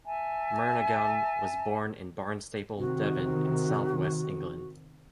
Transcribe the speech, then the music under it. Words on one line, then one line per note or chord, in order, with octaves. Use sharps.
Murnaghan was born in Barnstaple, Devon in South West England.
E5 G#5 A5
C3 D#3 F#4